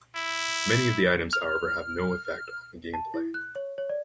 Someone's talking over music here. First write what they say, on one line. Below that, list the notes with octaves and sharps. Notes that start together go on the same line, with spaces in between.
Many of the items however have no effect on the gameplay.
E4
F6
A5
E4
F#6
C#5
C#5
D5